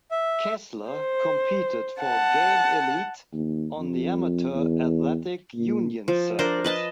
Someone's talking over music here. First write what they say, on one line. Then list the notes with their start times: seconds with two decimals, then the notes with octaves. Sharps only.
Kessler competed for Game Elite on the Amateur Athletic Union circuit.
0.11 E5
0.90 C5
2.01 F#5 A5
3.33 D#2
3.78 F2
4.55 E2
5.55 A#2
6.08 F3
6.39 D4 A#4 C5
6.64 B4 D#5 A5